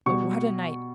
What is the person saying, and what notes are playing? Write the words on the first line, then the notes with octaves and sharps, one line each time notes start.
But what a night!
B2 G3 C#6